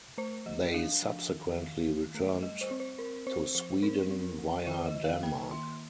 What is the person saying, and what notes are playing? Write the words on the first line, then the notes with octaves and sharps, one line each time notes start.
They subsequently returned to Sweden via Denmark.
A3 C5
F3 D#5
D4 F5
F3
D#3
D#3
D#3
A3
G3 D#5
C5
C4
C5
C4 A#4
C4 C5
F3 C5
C4 A#4
C4
F3
D#3 C5
D#5
D#3
F5
A#3 G5
D#3 C6